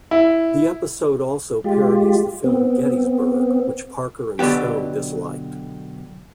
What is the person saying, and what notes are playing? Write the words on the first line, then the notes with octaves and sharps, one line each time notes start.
The episode also parodies the film "Gettysburg" which Parker and Stone disliked.
E4
G#3 F4 G4
B3 C4
B2 D3 F#3 B3 G4